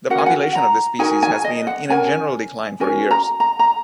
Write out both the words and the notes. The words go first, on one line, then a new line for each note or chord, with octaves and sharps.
The population of this species has been in a general decline for years.
C#4 F#4 A#4 F#5
G#5
F#5
A#5
D#4 F#4 A#4 G#5
G#5
D#5
F#5
C#4 A#4 G#5
C#4 F#4 A#4 G#5
A#5
A#5
A#5